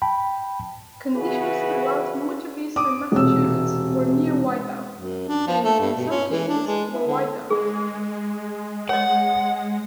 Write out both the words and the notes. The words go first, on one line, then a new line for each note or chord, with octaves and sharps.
Conditions throughout much of eastern Massachusetts were near-whiteout and, in some cases, were whiteout.
G5 A5 B5
C#3 E3 E4 F#4 G#4 B4
D6 D#6
E1 C3 E6
F#2
D4
F3
A3
G2
B2
C#4
E3
D4
G#3
E4
D3
G#3 G#4
C#5 D#5 F#5